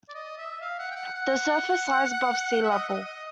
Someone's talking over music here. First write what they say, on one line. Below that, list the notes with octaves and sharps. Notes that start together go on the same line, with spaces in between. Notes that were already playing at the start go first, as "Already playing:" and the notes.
The surface lies at above sea level.
D5
D#5
E5
F5
F#5
G5
F#5
F#5
E5
D#5
D#5
D#5